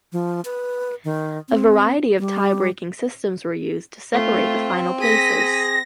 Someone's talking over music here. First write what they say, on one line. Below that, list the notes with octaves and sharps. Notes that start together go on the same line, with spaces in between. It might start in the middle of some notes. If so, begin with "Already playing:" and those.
A variety of tie-breaking systems were used to separate the final places.
F3
B4
D#3
C4
G3
A3 C4 F4
G#4 A#6 B6 D#7